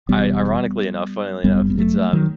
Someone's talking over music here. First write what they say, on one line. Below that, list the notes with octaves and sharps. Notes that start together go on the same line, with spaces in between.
i ironically enough, funnily enough, it's, um,
E1 E2 B2 G3 B3
G1 F#2 G3 B3
B3
F#3 A3
D#3 F#3